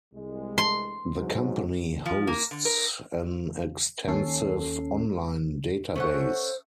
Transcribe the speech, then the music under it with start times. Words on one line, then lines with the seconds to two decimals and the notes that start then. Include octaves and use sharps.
The company hosts an extensive online database.
0.14 C2 G#3
0.58 C6
1.18 G#2 B2 F#3
2.06 F3
2.27 A#3
2.51 D3
2.65 A#4
4.08 D#2 C#4 A4 C7
5.96 A3 C#4 C5 F#5